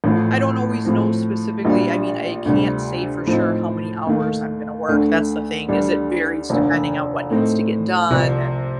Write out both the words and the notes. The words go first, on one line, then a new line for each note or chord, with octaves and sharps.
I don't always know specifically. I mean, I can't say for sure how many hours I'm gonna work, that's the thing, is it varies depending on what needs to get done, and,
A1 A2 F3
A2 F3 C4
A#1 A#2 G3 D4
D2 C3 G3
A2 F3 C4 D#4
D#2 D#3 A3
D2 D3 A3
D2 D3 G3 D4
F1 D#2 D3
A2 A3 C4 D#4
C2 C3 F3